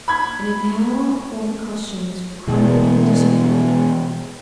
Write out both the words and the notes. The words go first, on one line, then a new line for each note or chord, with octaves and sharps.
In an hour, all the costumes were crumpled and disordered.
B5 G#6
B2 E3 G#3